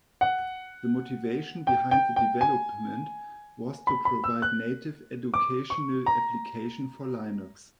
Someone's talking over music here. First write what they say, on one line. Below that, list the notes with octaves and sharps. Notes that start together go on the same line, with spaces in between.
The motivation behind the development was to provide native educational application for Linux.
F#5
G5
G5
G5
G#5
B5
B5
E6
F#6
D6
C#6
A#5